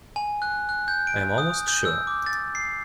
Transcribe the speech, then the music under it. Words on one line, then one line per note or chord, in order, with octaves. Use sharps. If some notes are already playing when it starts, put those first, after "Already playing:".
I am almost sure.
G#5
F#6
F#6
G6
D7
D#6
G6
E6
D6
A6
C7